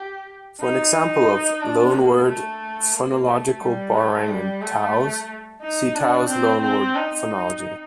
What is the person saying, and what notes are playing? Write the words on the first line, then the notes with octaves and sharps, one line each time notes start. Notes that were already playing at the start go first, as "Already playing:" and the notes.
For an example of loanword phonological borrowing in Taos, see Taos loanword phonology.
Already playing: G4
D#4
D4
A#3
A3
A#3
A3
G3
A3
G3
A3
D#4
D4
C4
C4
D#4